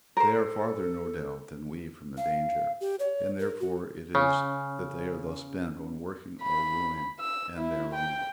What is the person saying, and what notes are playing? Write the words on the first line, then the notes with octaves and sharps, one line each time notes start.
They are farther, no doubt, than we from the danger; and therefore it is that they are thus bent on working our ruin and their own.
A4 A#4 C5
F5
G4
C#5
A#4
F#4
C#3 C#4
B5
E6
E4
G5